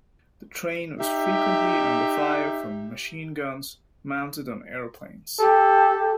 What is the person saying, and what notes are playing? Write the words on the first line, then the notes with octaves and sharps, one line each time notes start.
The train was frequently under fire from machine guns mounted on aeroplanes.
D#4 G4 E5
G4 A4